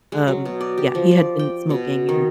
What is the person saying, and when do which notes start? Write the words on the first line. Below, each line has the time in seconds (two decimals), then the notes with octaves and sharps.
um, yeah, he had been smoking, and,
0.12 G#3
0.28 F#3
0.45 B2
0.61 D5
0.78 G4
0.95 F3
1.11 D5
1.39 G5
1.70 B2
2.09 D#3